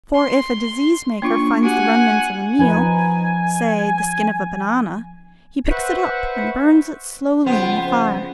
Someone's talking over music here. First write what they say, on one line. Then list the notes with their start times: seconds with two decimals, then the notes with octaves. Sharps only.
For if a disease-maker finds the remnants of a meal, say the skin of a banana, he picks it up and burns it slowly in the fire.
0.15 C6
1.22 A#3 D4 F4 C#6
1.63 F#4 G4 F#5 G#5
2.59 F3 D#4 B4 G#5
5.70 B4 C5 E5 F#5 C#6
7.46 F2 C#3 B3 F4 C5 F#5 G5